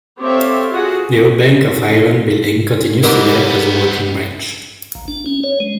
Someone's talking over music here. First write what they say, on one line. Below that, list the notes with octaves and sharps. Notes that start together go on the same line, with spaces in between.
The old Bank of Ireland building continues today as a working branch.
C4 G4 A4 C#5 E5 F5
F4 F#4 G#4
G#2 G3 B3 C4 A#4
A#1
D4
C#4
C#5
G#3